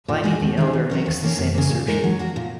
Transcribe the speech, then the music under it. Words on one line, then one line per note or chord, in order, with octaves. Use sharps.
Pliny the Elder makes the same assertion.
A#2
G#3 F#4 A#4
D#2
D#3 G#3 D#4 G#4
A#2
F#3 C#4 A#4
D#2
D#3 A#3 C#4
F#2
C#3 A#3
A#2
G#3 D#4 A#4
F#3
A#3 F#4 A#4
A#2